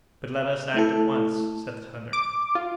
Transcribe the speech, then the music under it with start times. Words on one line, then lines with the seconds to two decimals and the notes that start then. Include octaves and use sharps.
"But let us act at once!" said the hunter.
0.74 A3 E4 A4
2.13 D6
2.55 F4